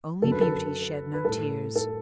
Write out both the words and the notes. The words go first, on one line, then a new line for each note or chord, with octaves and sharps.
Only Beauty shed no tears.
F#2 D3 F#3 A4
B4
A4
B4
A2 G3 A4
A4